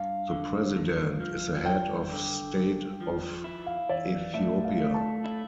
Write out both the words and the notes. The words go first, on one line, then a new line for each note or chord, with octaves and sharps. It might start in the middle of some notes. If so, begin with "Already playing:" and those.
The President is the head of state of Ethiopia.
Already playing: G2 F5
D3
G2
F3
G2 G5
D3
G2
F3
E4
F5
E3 D5
A2 E5
F5
A3
A5
E4